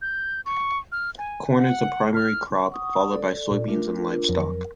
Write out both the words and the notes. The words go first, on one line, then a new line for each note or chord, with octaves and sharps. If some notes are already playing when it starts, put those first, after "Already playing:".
Corn is the primary crop, followed by soybeans and livestock.
G6
C#6
F6
G#5
F#5
F6
F#5 C#6 D#6
A4 D5
A#2
A3 D4 F4 A#4
F2 F3 F#3 A#4